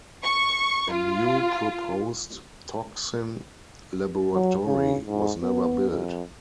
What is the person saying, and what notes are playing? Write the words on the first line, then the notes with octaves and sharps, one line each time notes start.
A new proposed toxin laboratory was never built.
C#6
F4
F#3
C#3
G#2
B3
F2